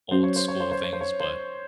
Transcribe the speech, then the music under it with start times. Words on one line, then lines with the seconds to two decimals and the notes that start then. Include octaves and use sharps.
old school things, but,
0.11 F#3 C#4 F#4 C5
0.23 C#5
0.36 C5
0.48 C#5
0.60 C5
0.71 C5
0.84 C#5
0.93 C5
1.01 C#5
1.20 C5